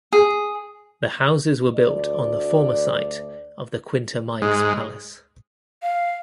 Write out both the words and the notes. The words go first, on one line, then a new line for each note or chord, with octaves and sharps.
The houses were built on the former site of the Quinta Meiggs Palace.
G#4
D2 D5
G#2
F5